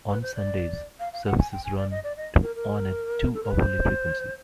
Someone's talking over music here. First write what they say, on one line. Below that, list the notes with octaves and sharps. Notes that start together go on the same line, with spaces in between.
On Sundays, services run to on a two-hourly frequency.
B4
C5
D5
F5
F5
F#5
G#5
G5
G#5
D5
D#5
D5
D#5
A#4
A#4
A4
A#4
B4
C5